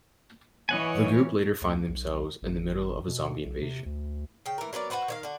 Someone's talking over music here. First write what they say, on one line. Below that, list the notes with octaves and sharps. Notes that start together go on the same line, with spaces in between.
The group later find themselves in the middle of a zombie invasion.
E3 C#5 D#5 F#5 G#5
D2
B1
G#1
B2
B1
C3
D2
C#3 G5
E3 A#4
F#3 B3 A#4 D5
F#4 B4 C5 F#5
D#3 C#5 F5
D3 F#4